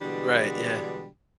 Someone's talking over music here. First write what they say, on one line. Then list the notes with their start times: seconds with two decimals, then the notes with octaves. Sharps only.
Right. Yeah.
0.01 B2 D3 E3 G3 G#3 D4